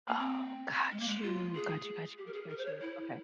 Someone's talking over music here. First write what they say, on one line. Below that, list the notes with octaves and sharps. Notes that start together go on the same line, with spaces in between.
Oh, got you. Got you, got you, got you, got you. Okay.
A#3
C4
G#3
A#3
G#3
F4
G#4
G4
A#4
G#4
A#4
C5
C#5
E4